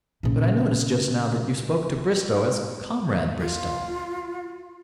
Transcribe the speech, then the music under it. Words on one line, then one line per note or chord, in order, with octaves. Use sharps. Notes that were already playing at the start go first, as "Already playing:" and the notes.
But I noticed just now that you spoke to Bristow as Comrade Bristow.'
A#2 C#3
F4